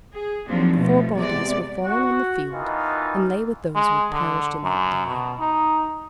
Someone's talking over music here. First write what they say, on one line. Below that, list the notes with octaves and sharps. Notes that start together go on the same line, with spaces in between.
The four bodies were fallen on the field, and lay with those who had perished in that day.
G#4
D#2 F3 F#3 C4 D4
B2 F3 A3
C3 G#3 B3 D5
F#4
B2 D#3 E3 D#4 F4
G#3
D3
F#2
B2
D#4